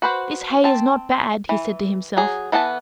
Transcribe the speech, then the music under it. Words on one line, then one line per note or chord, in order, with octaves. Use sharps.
"This hay is not bad," he said to himself.
F#4 B4 C5
C4 A5
E3
F#3 G#4
E3 B3 A4 A5